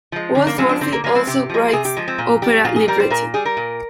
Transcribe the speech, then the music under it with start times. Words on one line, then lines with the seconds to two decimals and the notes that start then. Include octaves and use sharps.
Goldsworthy also writes opera libretti.
0.12 F3 G#3
0.35 D3
0.47 A#3
0.58 F3 G#3 C4
0.69 D4
0.81 D3 C4
0.92 A#3
1.04 F3 G#3 A#3
1.15 C4
1.27 C3 G4
1.50 F3 G#3
1.73 C3 G#4
1.85 G4
1.97 F3 G#3
2.08 C4
2.18 A#2
2.42 G3 G4
2.65 A#2 F4
2.76 G#4
2.88 G3 A#4
3.00 C5
3.10 A#2 A#4
3.34 G3 G#4
3.45 A#4
3.57 A#2